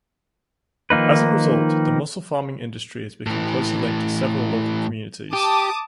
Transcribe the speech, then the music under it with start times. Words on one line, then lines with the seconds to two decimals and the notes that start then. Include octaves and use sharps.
As a result, the mussel-farming industry has become closely linked to several local communities.
0.90 D#3 F3 A#3 D#4 B4
3.26 A2 E3
5.33 G4 A5 D6 D#6